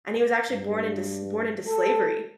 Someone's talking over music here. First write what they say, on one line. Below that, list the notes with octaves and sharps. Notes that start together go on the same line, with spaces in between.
And he was actually born into s born into slavery,
G2
A4